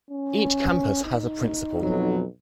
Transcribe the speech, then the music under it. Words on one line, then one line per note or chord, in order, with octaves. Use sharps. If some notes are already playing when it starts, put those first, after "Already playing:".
Each campus has a Principal.
C#4
D#4
B1 F2 F#3